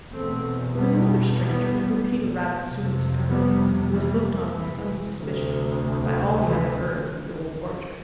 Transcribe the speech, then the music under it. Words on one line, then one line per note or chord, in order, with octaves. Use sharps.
There was another stranger who, Peter Rabbit soon discovered, was looked on with some suspicion by all the other birds of the Old Orchard.
E2 B2 A3 C4
G3 B3
G3 B3
F2 C3
G3 B3
E3 G3
E3
D2 C3
E3